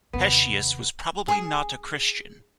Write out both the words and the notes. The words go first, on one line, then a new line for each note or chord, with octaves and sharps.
Hesychius was probably not a Christian.
D#2 C3 B3
G#4